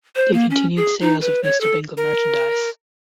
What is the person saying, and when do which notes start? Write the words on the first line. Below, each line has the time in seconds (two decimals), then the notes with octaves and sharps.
They continued sales of Mr. Bingle merchandise.
0.16 C5
0.33 A#3
0.50 C#4
0.77 G#4
1.01 D#4
1.21 B4
1.43 C#5
1.61 A4
1.97 A#4